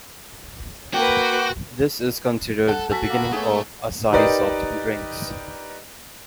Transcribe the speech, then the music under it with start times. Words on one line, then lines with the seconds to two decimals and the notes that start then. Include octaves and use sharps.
This is considered the beginning of Asahi Soft Drinks.
0.94 A#3 F#4 B4 F#5 G5 D6 G6
2.68 A4 F#5 F#6
2.91 F#4 A4 G#5 B6
3.10 A#3 B3
3.32 A3 G#4 C#5
4.12 D#4 G4 A#4 B4 D5 D#5